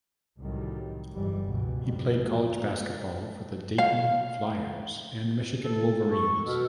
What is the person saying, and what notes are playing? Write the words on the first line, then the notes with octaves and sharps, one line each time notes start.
He played college basketball for the Dayton Flyers and Michigan Wolverines.
C2 A2 D#3 F#3 G3
G1 F2 G#2 E3 G3
C#2 G#2 B2
F2 G#2 G3
F5
A4
C#6
B2 A4 E6 F6